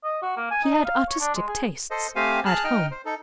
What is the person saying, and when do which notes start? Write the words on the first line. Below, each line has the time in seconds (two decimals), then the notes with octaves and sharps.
He had artistic tastes--at home.
0.04 D#5
0.22 F#4
0.37 A#3
0.51 G#5
0.64 D#4
0.85 F5
1.09 C#5
1.20 D4
1.35 G#3
1.48 G#4
1.91 A4 C5 D#5
2.16 A3 C4 G4 C5 F5 G#5
2.46 G#4 A5 F6 F#6
2.64 D#4 D#5 G5 F6
2.91 C5
3.05 D#4 A4